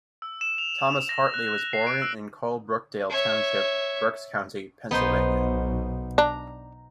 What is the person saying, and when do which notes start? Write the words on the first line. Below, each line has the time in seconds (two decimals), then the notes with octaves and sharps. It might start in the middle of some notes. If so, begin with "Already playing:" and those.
Thomas Hartley was born in Colebrookdale Township, Berks County, Pennsylvania.
0.22 E6
0.41 E7
0.58 F7
0.91 F7
1.09 A#6
1.34 F#6
1.48 F#6
1.73 C7
1.87 D7
2.02 E6
3.10 C#5 E5
4.91 B1 B3 D#4 C5
6.18 D4 A#5